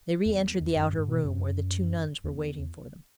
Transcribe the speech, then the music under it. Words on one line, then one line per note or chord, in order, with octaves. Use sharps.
They re-entered the outer room, where the two nuns were waiting for them.
E2
F#2
G#2
B2
F#2
E2